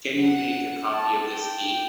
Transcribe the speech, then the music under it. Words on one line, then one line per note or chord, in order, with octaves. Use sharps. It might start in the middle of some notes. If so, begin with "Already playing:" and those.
Can you make a copy of this key?
F#5
A5
G5